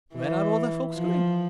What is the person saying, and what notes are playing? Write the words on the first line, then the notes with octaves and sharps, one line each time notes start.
"Where are all the folks going?"
E3
F3